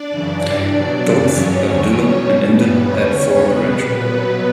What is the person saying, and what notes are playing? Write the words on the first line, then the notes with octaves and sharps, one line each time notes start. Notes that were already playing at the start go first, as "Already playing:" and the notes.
Both Abdullah and Endon had four grandchildren.
Already playing: D4 D5
F#2 C#3 E3
G2 E3 G3 D4 D5
B2 F#3 D4 D5
F#2 C#3 E3 D4 D5
G2 F#3 C#4 C#5
E2 D3 F#3 C#4 C#5
B2 G3
B2 G3
G2 E3 G3 B3 B4
E2 D3 G3 C#4 C#5
E2 C#3 E3 G3
B2 G3 B3 B4
A#2 G3 B3 B4
B2 F#3 B3 B4